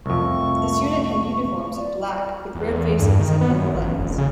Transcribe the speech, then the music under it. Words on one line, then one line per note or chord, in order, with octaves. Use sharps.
This unit had uniforms in black with red facings and gold buttons.
C2 F2 A3 C#6
D5
E2
G2
D#3
B3
F#2
A1
F1
C#3